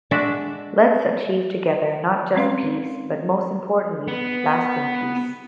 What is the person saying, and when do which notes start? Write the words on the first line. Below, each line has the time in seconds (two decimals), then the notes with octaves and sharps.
Let's achieve together not just peace, but, most importantly, lasting peace.
0.11 G#3 D4 F#4 E5
2.35 G#3 C4 C#4 B4 F5 C6
4.08 B3